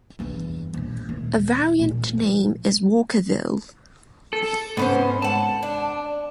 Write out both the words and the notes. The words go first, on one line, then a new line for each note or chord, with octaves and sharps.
A variant name is "Walkerville".
G1 E2
A#1 G#3
D#1
A#2 G#3
F3
A4
G#2 B3 C#4 C5
A4 F#5 A5
D4